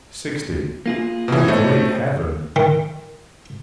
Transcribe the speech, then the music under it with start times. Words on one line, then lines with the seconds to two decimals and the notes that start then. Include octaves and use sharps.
Sixty--oh, great heaven!
0.86 A#3 F4 G#4
1.28 B2 E3
1.48 A3 C5 C#5 D#5
2.56 D#3